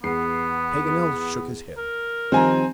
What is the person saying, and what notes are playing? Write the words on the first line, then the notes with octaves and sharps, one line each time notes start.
Paganel shook his head.
E2 B3 C7
A#4
D#3 F3 G3 C4 G#5 A#5